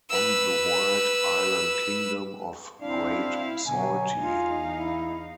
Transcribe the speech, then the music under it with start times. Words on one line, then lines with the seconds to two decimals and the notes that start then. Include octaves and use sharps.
On the wild island kingdom of Great Saltee.
0.10 B4 E6
2.81 C4 D4 E4 F5
3.67 B2 D3 F#3 G#5
4.17 E2 D#4 F4 F5
4.71 E4